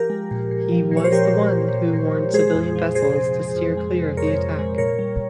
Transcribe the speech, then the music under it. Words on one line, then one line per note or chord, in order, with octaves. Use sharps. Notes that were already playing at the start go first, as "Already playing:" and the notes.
He was the one who warned civilian vessels to steer clear of the attack.
Already playing: F3 G4 A#4
G#3
A#2
A#2
F3
A#2
C#5
C5
F3 G4 A#4
A#2
A#2
A#2
A#2
A#2
G#3 G#4 C5
F2
F3
C3 G#4 C5
C3
C3
F2
G#3
C3
F2 A#4 C#5
F2
G#3
A#2 A#4 C#5
G3